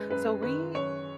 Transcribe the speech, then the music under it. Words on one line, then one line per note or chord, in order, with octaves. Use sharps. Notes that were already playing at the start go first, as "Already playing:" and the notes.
So, we
Already playing: F#2 G#3 B4
F#2 B4
D#3 B4
F#2 C#5